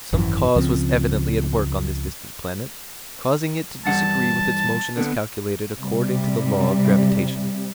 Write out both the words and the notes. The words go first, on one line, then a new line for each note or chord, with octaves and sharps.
Some cause was evidently at work on this distant planet, causing it to disagree with its motion as calculated according to the law of gravitation.
G#1 F#2 E3
C#2 C#3 F3 C4
E2 G2 F#5 A5
D3 B3
C3 G3